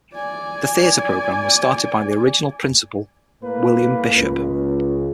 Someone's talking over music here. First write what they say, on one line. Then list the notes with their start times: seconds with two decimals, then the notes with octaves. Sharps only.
The theatre program was started by the original principal William Bishop.
0.15 D5 G#5
3.43 A2 A#3 A#4 B4
4.15 C#2